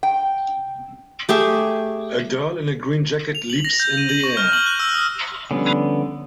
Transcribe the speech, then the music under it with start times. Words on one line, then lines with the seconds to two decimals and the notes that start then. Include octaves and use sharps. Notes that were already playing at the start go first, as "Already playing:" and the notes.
A girl in a green jacket leaps in the air.
0.03 G5
1.29 A3 G4 G#4 E5
3.35 F7
3.50 F#7
3.65 A#6
3.80 G6
3.98 D#7
4.09 F#7
4.24 C#6
4.37 F6
4.53 F#7
4.66 F#6
4.80 E6
4.95 D#6
5.51 D3 F3 G3 B3 C#4